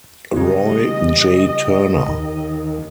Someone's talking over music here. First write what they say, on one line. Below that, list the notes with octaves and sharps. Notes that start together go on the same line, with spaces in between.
Roy J. Turner.
C#3 G3 G4 D#5
D#2 D#3